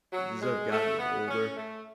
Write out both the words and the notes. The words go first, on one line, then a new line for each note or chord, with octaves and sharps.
as I've gotten older,
F#3
G#3
A3
B3
C#4
A3